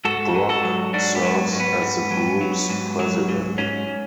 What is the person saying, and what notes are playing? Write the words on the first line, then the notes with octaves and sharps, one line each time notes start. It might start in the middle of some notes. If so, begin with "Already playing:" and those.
Brock serves as the group's president.
G#2 F#4 A4
G#2
F#4 A4
F#3
G#2 D4 F#4
B3
F#3
G#2
B3
G#2
F#3
F#3
G#2
F#3
G#2
G#2 C#4